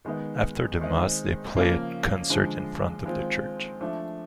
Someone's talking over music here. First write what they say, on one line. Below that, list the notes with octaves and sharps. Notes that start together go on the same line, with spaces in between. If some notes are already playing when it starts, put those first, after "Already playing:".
After the Mass they play a concert in front of the church.
D#3 G#3 B3 D#4
D#3 G#3 C4 D#4
C#3 F3 A#3 C#4
D3 F3 G#3
D#3 G#3 C4 F4
F3 A3 D4